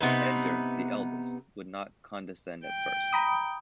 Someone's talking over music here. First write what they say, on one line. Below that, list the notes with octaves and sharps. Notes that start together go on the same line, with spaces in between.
Edgar, the eldest, would not condescend at first.
C3 B3 D#4 B4
G5
A#5 B5 D#6